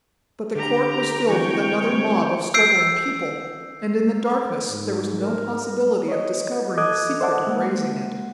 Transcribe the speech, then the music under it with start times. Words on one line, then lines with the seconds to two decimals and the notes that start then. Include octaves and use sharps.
But the court was filled with another mob of struggling people, and in the darkness there was no possibility of discovering the secret of raising it.
0.55 D3 G4 A#5
1.29 E3 C4 C#5 G5
1.90 G3 C4
2.54 E6 G6 C7 D7
4.70 G#2
5.18 A#4
6.08 C#5 D#5
6.78 A4 D#5 D6 D#6 F#6 G#6
7.21 C5 D5 E5 F#5 A5 D6
7.47 G#3 A#3 F#5